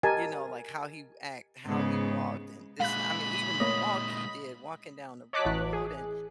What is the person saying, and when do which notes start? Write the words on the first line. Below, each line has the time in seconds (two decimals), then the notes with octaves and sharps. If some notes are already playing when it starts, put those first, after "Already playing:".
you know, like, how he act, how he walked, and this I mean, even the walk he did, walking down the road and
0.03 G4 A#4 D#5 G#5 A5
1.65 G#2 C#3 B3
2.80 A#2 G#3 F5 B5 F#6
3.60 A3 A#3 C#5 D#5
5.33 C#5 D#5 A5 D6 F#6 B6
5.45 A1 E3 F#6
5.73 G#4